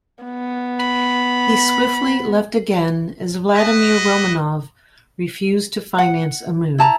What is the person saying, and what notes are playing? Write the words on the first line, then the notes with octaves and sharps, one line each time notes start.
He swiftly left again as Vladimir Romanov refused to finance a move.
B3
B5
F#4 B4 D#5
F#5
E4 A5 A#5